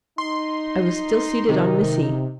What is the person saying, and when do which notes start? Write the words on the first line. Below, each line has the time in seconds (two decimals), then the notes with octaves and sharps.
I was still seated on Missy.
0.18 D#4 C6
1.49 C3 D#3